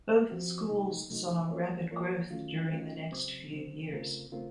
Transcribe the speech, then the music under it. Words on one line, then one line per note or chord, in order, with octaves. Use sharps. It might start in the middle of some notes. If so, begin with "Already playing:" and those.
Both schools saw rapid growth during the next few years.
F3 C4 F#4
C3 F#3 A3 D#4
C3 F#3 A3 D#4
F3 A#3 F4 A#4 C#5
F3 A#3 F4 A#4 C#5
D#3 F#3 A3 C#4 F4
D#3 F#3 A3 C#4 F4
C#3 F#3 C4
C#3 F#3 C4
C#3 A3 C4 F4 A#4
C#3 A3 C4 F4 A#4